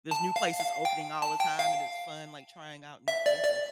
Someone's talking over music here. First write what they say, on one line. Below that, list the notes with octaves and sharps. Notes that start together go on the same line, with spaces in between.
there's new places opening all the time and it's fun, like, trying out new places.
A5
F5
F5
G5
A5
G5
F5
E5
D5
D5